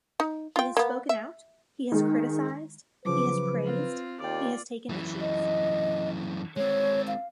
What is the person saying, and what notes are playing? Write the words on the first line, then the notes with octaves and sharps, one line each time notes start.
He has spoken out; he has criticized; he has praised; he has taken issues.
D#4
F4 G5
A#3 B3
E5
D#3 G#3
C#3 F3 F#3 B4 D6
C4 F4
D#2 F4 D5 G5 D6
F#2 E3
D#5
G#3 C4 C#5
F5